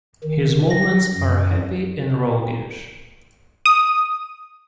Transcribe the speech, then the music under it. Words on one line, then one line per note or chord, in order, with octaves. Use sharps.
His movements are happy and roguish.
D#3
A#6
F#2
D#6